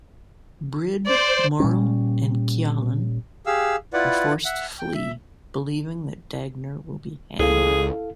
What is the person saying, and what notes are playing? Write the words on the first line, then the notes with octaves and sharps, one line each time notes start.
Brid, Moril, and Kialan are forced to flee, believing that Dagner will be hanged.
C5 D5
A#2 G3 C#4
G4 G#4 F5 E6
E4 F4 B4 D5 F#5
E5 F#5
G5
E5
C#2 E4 G#4 A4 F5